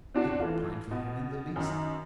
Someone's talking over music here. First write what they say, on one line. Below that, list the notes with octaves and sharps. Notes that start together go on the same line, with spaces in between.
I had not pined for him in the least.
C4 D4 F#4
E3 A3 F4
B2
F#2 D#3